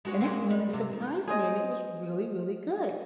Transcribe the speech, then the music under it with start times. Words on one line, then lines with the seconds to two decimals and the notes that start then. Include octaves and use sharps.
and that really surprised me, and it was really, really good.
0.05 G#3 F#4 C#5
0.20 G#3 A#3 C4
0.50 G3
0.73 C3
0.93 D#3
1.27 G#4 C5 D#5